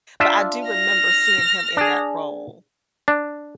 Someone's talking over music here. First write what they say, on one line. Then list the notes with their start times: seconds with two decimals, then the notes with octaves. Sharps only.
but I do remember seeing him in that role.
0.20 D4 F4 E5
0.68 F6 A#6
1.77 D4 G#4
3.08 D4